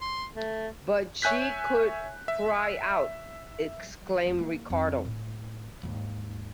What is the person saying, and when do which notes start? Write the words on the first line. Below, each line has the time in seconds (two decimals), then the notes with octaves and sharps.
"But she could cry out," exclaimed Ricardo.
0.01 C6
0.36 A3
1.22 C#5 E5 G#5 F#6 G6 B6
2.28 E5
4.26 F1
4.38 A#3
4.70 F2
5.05 A2
5.83 D#2 G#2